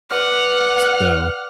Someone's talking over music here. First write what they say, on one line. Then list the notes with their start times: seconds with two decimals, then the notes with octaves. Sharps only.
s so,
0.11 B4 D5 F#5 F6